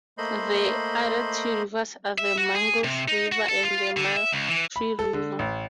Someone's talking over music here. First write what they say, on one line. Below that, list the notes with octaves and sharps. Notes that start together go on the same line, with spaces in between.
The other two rivers are the Mangles River, and the Matiri River.
A3 A#3 C5 D#5 B5 C6
E5
F#4
G#4
C3
D#4
F#4
A4
F4
D3
E5
C#2
E3
B5
A4
D3
A1